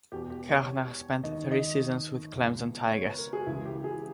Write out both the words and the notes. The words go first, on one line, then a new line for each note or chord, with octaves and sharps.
Koerner spent three seasons with Clemson Tigers.
E2 B2 G4
G4
C#5
D#2 D#3 D#5
D#5
C#2 B2
C#5
B4
A#4
G#4
C#2 C#3 E3 E4
G4
G#4